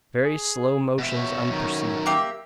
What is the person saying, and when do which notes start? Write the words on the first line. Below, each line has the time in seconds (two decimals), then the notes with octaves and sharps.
Very slow motions unperceived.
0.23 G#4
0.98 B2 E5
1.17 C#5
1.50 F#2 D#3
2.06 A#3 G4 E5